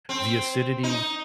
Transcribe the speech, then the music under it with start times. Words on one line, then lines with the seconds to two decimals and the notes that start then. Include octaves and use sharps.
the acidity
0.09 C4
0.83 D#4